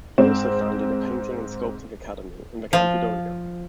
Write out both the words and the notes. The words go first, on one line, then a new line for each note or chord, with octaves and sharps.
He also founded a painting and sculpting academy in the Campidoglio.
G#2 C4
F3